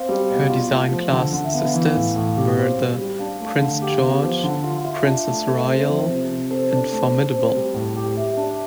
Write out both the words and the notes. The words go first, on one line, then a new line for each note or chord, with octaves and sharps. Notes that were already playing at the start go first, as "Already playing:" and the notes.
Her design class sisters were the "Prince George", "Princess Royal", and "Formidable".
Already playing: C4 F5
G3
B2
F4
A3
F3
D3
D3
E5
B3 F5
E3
A2
A2
G4
C4
G3
G3
D4 F5
A3
D3
G4
B3
F3
D3
F4
F4 E5
D4
A3
A4
C4
F3
C3
C3
A4 C5
D4
A3
A3
C4
G3
A2
G4
G4 E5
D4